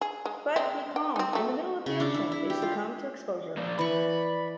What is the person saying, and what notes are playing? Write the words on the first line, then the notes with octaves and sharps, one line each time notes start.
But becalmed in the middle of the ocean, they succumb to exposure.
G#4
G#3
G#3 C4
G5
C4 D#4
F#3 A3
C#3
D4
E4
E4
G4
F4
A#2 F3 D5
E3 B5 C#6